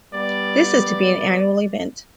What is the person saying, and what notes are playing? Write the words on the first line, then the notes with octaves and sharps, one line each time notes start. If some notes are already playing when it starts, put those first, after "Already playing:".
This is to be an annual event.
G3 B3 D5